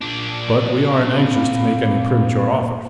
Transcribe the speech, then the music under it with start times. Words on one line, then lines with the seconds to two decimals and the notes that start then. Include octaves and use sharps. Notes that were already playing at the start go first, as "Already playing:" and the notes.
But we aren't anxious to make any premature offers.
0.02 A#2 D4
1.12 C4 F5 B5